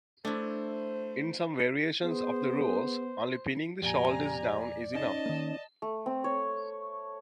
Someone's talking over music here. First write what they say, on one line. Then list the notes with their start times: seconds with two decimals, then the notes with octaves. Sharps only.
In some variations of the rules, only pinning the shoulders down is enough.
0.25 A3 D4 E4 C5
2.03 B3 G#4 C5
3.82 F2 A#2 G4 D5 G#5 A#5
4.93 C#4 D#4 D#5 A5
5.26 D#3 A#3
5.82 A3
6.06 C4
6.24 C#5